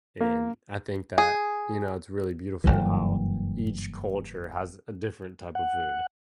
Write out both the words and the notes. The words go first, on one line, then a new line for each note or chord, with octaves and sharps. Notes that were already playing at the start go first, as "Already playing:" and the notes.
and I think that, you know, it's really beautiful how each culture has a different type of food.
A#3
G#4
F#1 C2 G2 E3
F#5